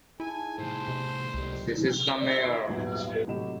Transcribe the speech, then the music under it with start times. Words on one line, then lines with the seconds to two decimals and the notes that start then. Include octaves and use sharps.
This is the Mayor.
0.20 D#4 E4 G#4 G#5 A5
0.59 C2 A2 C5
0.88 C3
1.34 G1 C#2 D#3 G3
2.41 C6 G#6 A#6 C7 D7
2.67 D#1 G#2 F#3 B3
3.27 A2 C3 F#3 G4 D#5 E7